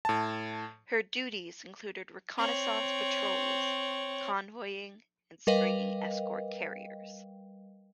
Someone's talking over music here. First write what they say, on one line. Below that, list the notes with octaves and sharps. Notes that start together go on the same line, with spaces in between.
Her duties included reconnaissance patrols, convoying, and screening escort carriers.
A2 A5
C4 C#5
G3 A#4 B4 D#5 F5 G5